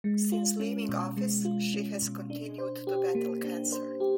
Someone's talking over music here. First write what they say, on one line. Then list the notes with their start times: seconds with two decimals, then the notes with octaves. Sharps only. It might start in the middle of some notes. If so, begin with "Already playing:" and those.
Since leaving office, she has continued to battle cancer.
0.04 G#3
0.32 F4
0.60 C#4
0.89 B2
1.17 G#3
1.45 F4
1.74 C#4
2.02 B2
2.30 D4
2.58 C5
2.87 G4
3.15 A#3
3.44 D4
3.72 C5
4.00 G4